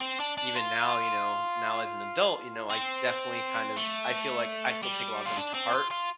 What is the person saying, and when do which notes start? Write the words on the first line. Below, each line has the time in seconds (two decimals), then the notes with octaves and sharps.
even now, you know, now as an adult, you know, I definitely kind of s I feel like I still take a lot of them to heart,
0.01 C4
0.20 D4
0.38 D4
0.56 F4
2.70 C4
3.76 A3
4.83 G3
5.26 F4
5.37 D4
5.54 C4
5.73 F4
5.91 F4